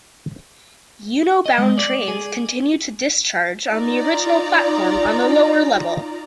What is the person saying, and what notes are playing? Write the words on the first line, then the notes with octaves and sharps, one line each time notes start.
Ueno-bound trains continue to discharge on the original platform on the lower level.
D#5
G#3
D5
G#4
D#4 F4 D5 A#5